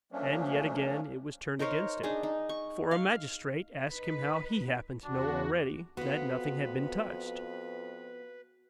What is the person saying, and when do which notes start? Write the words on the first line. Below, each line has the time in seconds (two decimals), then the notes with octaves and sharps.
And yet again it was turned against him; for a magistrate asked him how HE happened to know already that nothing had been touched.
0.12 F3 F#3 A3 A#3 C#4 D4
1.59 D#4 A#4 C5 C#5
2.03 D4 D#4 G#4
2.23 D#4
2.49 C#6
2.91 F5
3.90 D#4 B4
5.05 E2 D4 F#4
5.97 F2 B3 F4 F#4 B4